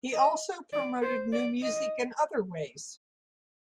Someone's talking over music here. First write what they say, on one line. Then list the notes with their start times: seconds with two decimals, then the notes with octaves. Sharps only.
He also promoted new music in other ways.
0.13 D#5
0.73 D5
1.02 C5
1.32 D5
1.62 D#5